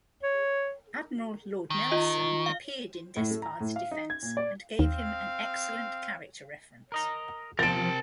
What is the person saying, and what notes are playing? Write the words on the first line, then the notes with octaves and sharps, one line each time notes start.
Admiral Lord Nelson appeared in Despard's defence and gave him an excellent character reference.
C#5
D#3
F4 D#5
F5
A2
A3
A#5
A2
F5
D#4
G#6
A#2
D5
D#2 C4 F5
A#4 D#5 A#5
C3 F3 C4 A#4 A5 A6 D7